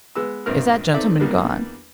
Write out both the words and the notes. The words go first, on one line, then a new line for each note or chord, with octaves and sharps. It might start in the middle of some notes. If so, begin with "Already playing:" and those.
Is that gentleman gone?
G#3 B3 E6
A#1 G2 C4 A#4 F6
C4 D#4 A4 D5 E5
E2 D#3 G3 A#3 B3 D4